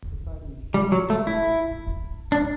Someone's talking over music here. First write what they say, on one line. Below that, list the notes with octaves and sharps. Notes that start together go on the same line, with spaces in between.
Society is shaken to its foundations.
G3
F#3
A3
E4
D4